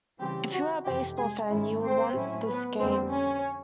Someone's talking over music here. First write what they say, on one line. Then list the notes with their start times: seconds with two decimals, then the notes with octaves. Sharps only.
If you are a baseball fan, you will want this game.
0.20 C#3 E3 G3 C4 G4
0.52 F#4
0.84 F2 C3 E3 G4
1.17 G#3 G#4
1.50 G#2 D#3 G#3 C#4 E4
1.82 C4 C5
2.14 A2 F#3 A3 C#4 E4
2.47 B3 B4
2.79 F2 D3 G3 A#3 C4 C5
3.12 C#4 C#5